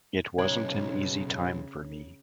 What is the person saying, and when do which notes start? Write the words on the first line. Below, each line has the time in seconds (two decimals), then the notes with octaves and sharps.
It wasn't an easy time for me.
0.38 B1 C#3 C#5 G#6